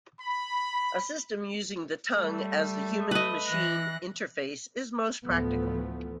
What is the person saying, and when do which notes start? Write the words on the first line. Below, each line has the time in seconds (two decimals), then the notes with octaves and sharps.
A system using the tongue as the human-machine interface is most practical.
0.20 B5
2.14 G3 A3
3.11 B4 D#5
3.46 E3 F#6 A#6
5.24 D2 A2 E3 F3 A3 B3